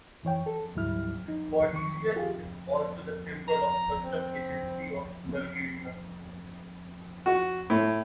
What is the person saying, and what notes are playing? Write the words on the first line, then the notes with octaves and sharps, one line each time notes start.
The caduceus is also the symbol of the Customs Agency of Bulgaria.
F#2 E3 C#5 G5
A4
D2 G#2 F#3 G3 E4 F6
D#4
D#3 C#6
F4 G4 G#4 F5
A#5
C4
F#4
A2